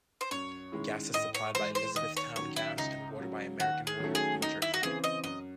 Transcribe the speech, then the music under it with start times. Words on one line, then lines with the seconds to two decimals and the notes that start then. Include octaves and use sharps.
Gas is supplied by Elizabethtown Gas and water by American Water of New Jersey.
0.21 C5
0.31 F#2 C#5
0.72 D#3 G#3 C#4 E4
1.14 A2 D#5
1.34 C#5
1.54 E3 G#3 C5
1.75 C5
1.95 D#2 D#5
2.17 C#5
2.36 D#3 F#3 C#4 C#5
2.56 E4
2.77 C#2 D#4
3.18 C#3 F#3
3.60 D#2 F#4
3.87 G#4
4.00 D#3 F#3 A3 C#4
4.15 G#4
4.41 D#2 D#4
4.62 E4
4.74 F#4
4.82 C#3 E3 C4 G#4
5.04 D#5
5.24 F#2 D#5